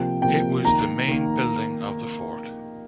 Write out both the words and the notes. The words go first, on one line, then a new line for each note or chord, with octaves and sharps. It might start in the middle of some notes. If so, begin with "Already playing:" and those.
It was the main building of the fort.
Already playing: C3 F3 A#3 G5
C3 F3 A#3 G5
D#3 A#3 A#5
D#3 A#3